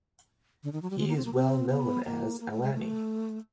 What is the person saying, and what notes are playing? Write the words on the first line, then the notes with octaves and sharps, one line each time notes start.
He is well known as "alani".
D3
D#3
F#3
G3
G#3
A#3
C4
A#3
C4
B3
A#3
A#3
A3
G#3
A3